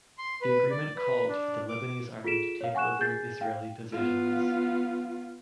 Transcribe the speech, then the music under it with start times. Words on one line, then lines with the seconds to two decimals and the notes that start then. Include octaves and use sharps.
The agreement called for the Lebanese Army to take over Israeli positions.
0.18 C6
0.42 B4
0.70 D5
0.97 B4
1.29 D4
1.69 D6
2.24 F4 G#4 A4 B6 D7 E7
2.61 C#5 F5
2.75 F#5 G#5 C#6 F#6 E7
2.99 G#4 G#5 G6 A6 C7
3.41 F5 G5
3.92 B3 F4